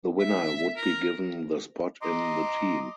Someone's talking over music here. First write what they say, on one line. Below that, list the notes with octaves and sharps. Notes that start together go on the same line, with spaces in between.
The winner would be given the spot in the team.
E5
A#4
D#5 A#5 C6 D6